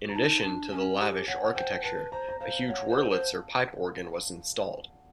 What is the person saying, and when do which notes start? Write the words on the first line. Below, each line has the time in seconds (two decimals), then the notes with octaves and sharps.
In addition to the lavish architecture, a huge Wurlitzer pipe organ was installed.
0.09 A#5
0.15 D#4 A5
0.43 D4 A5
0.71 C#4 G#5
0.99 G4
1.27 C#5 F#5
1.45 C#5
1.55 C5 G5
1.84 B4 A5
2.12 C5 A#5
2.29 A#5
2.40 C5 F5
2.68 C#5 F#5
2.89 C5
3.10 C5